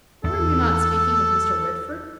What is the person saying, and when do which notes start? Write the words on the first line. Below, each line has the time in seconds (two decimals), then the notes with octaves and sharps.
"Were you not speaking of Mr. Whitford?"
0.24 E2 A4